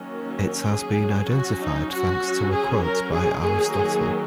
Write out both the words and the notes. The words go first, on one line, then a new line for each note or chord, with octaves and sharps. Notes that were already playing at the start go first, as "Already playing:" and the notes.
It has been identified thanks to a quote by Aristotle.
Already playing: D#3 F#3 A#3 C#4
G#4
F#3 C#4
F#4
D#4
F#4
F#3 C#4
G#4
A#4
G#4
D#3 F#3 A#3 G#4
G#4